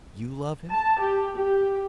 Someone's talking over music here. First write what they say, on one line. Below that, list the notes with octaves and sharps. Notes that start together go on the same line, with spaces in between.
'YOU love him?
A5
G4
G4